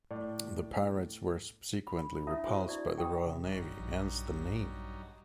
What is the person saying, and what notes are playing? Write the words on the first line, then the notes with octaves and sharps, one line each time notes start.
The pirates were subsequently repulsed by the Royal Navy, hence the name.
A2 D5
B5
D4 E4 C#5 E5 D#6
F4 F#4 B4 C5
D4 E4 D5 C#6
G#4 G5 C#6 D#6
C3
G1 G2 F#3 D#4
A#1